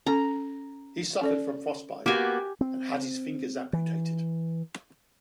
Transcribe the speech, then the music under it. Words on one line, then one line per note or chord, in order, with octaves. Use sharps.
He suffered from frostbite and had his fingers amputated.
C#4 A4 A#5
C#4 A4 D5
A#3 B3 F#4 G4 G#5
C4
E3